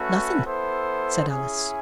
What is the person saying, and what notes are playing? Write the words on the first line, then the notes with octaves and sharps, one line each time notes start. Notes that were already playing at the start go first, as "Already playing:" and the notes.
'Nothing,' said Alice.
Already playing: A3 C#4 F#4 B4
B3 E4 A4 C5
C#4 E4 G#4